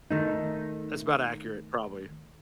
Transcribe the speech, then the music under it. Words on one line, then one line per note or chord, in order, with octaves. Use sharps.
that's about accurate, probably.
D#3 A3 D#4